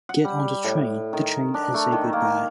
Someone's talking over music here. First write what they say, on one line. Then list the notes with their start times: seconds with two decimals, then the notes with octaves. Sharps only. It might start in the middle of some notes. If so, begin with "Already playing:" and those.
Get on the train, the train and say goodbye.
0.09 F#5
0.24 G3
0.64 A2
1.13 D#3
1.54 D4
1.74 A3
1.92 D#3
2.13 A#3